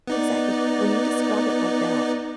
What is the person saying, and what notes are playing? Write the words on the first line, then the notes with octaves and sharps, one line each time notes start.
exactly. When you describe it like that,
B3 D#4 D5